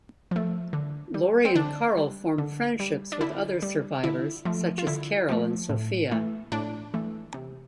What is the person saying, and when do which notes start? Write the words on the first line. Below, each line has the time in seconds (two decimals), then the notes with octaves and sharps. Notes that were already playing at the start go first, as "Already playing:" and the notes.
Lori and Carl form friendships with other survivors such as Carol and Sophia.
0.31 F3 A3
0.73 D3
1.14 G3
1.45 C4
1.55 D3 D4
1.97 G3
2.38 D3
2.80 G3
3.12 D4
3.21 D3 E4
3.62 G3
4.04 D3 E4
4.45 F3 A3
4.78 F4
4.87 D3 E4
5.29 F3 A3
5.69 A2
6.11 E3 A3
6.52 A2 D4
6.94 E3 A3
7.34 C3